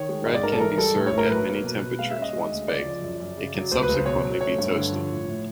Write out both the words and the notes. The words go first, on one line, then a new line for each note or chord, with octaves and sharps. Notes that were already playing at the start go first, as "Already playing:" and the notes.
Bread can be served at many temperatures; once baked, it can subsequently be toasted.
Already playing: D#3 C#5
G#3
G#2 D#5
D5
G#2 A#4
A4
E3 A#4
G3 A4
A2
C#5
A2
A#4
F#3 B4
A#3
B2
B2
G#3 F5
E5
C#4
D#5
G#3
D2
C#3 D5
F3
F#2
F#2
C#3
F#3
C#2 C5
B4
C#2
C5
B2 C#5
F#3
A3 C#5
G2
D3
F3
A2
A2